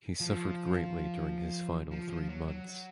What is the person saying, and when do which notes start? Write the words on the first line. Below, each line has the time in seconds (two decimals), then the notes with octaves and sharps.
He suffered greatly during his final three months.
0.20 F3
1.91 F3
2.10 F3
2.29 F#3
2.48 F#3